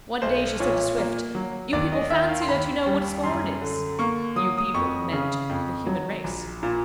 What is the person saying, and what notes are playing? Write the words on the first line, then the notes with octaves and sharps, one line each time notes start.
One day she said to Swift, "You people fancy that you know what scorn is." "You people" meant the human race.
B1 C5
A#2 C#5
A#3
F#3
D#2 D5
D#5
D#3 E5
F5
C6
D#2 B5
G3
F#2 C6
D3
A#3 C#6
F#3 D#6
D#6
F2 C#6
C#3
F2
F#3
A#1
A#2